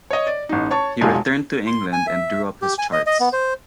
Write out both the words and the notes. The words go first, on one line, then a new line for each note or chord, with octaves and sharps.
He returned to England and drew up his charts.
C#5 D#5
D5
A1 D#4
C#5 A5 C#6
F1 B1 G#3 F4 G4 G#5
C6
G#5
E5
G4
G#5
D#5
D#5
B3
C5